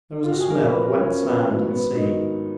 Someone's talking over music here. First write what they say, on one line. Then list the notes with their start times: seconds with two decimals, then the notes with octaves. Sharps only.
There was a smell of wet sand and sea.
0.24 F4
0.32 F#4
0.41 G#4
0.50 F#2 F3 A#4
0.66 B4
0.82 A#4
0.98 F#2 F3 C#4
1.23 B3
1.46 G#2 D#3 F#3 B3
1.71 B3
1.95 G#2 D#3 F#3 D#4